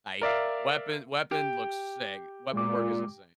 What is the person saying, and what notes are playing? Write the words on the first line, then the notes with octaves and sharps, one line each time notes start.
Like, weapon weapon looks sick, weapon work is insane.
A#4 D5 E5 F5
G4
A#2 G#3 D6